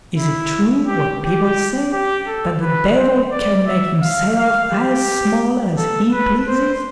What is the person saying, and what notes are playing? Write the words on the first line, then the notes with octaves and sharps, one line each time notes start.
Is it true what people say, that the Devil can make himself as small as he pleases?'
E4
G4
G4
G4
A4
B4
C5
D5
E5
F5
F5
G4
A4
B4
C5